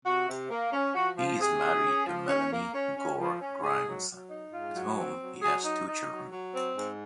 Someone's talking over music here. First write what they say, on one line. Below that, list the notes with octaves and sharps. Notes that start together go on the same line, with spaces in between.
He is married to Melanie Gore-Grimes, with whom he has two children.
C3 F#4
C3
A#3
C#4
F3 F#4
F3
C3 G#4
C3
C#4
F3
C#4
A#3
C#4
C#4
F3
C#4
G#2 G#4
F#3
F#3
D#4
G#2 F4
F#3
C4
F#3
F#3 G#4
D#4
D#4
F#3
F#3
C4
G#2